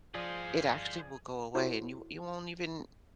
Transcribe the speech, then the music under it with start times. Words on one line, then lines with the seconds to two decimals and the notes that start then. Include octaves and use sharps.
it actually will go away, and you w you won't even
0.15 F3 G#4 C5 D5 D#5 F5
1.55 E4 F#4 A4 C5 C#5